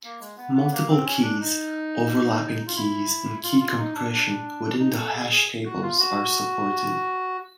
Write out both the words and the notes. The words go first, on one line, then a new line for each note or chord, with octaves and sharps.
Multiple keys, overlapping keys and key compression within the hash tables are supported.
A#3
G#3
B3
B3
A#3
C4
C#4
D4
D#4
F4
E4
F4
F4
D#4
D4
D4
D#4
A4
G#4
G#4
F#4
F4
F#4